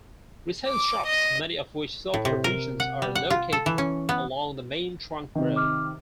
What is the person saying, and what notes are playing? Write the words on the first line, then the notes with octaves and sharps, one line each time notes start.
Retail shops, many of which sell provisions, are located along the main trunk road.
D6
D#5
A2
C3
A#4
F#5
G3
F#5
F4
A4
E3
C#4
B3
C3 D#3
D6 F6